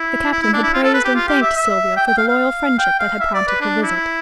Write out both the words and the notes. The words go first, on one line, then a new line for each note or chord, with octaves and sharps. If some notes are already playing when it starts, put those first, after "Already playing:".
The Captain had praised and thanked Sylvia for the loyal friendship that had prompted her visit.
Already playing: E4
E4
E4
D4
E4
F4
A4
B4
G4
F4
G4
E5
E5
G5
G5
F5
F5
G5
F5
E5
D5
B4
D4
E4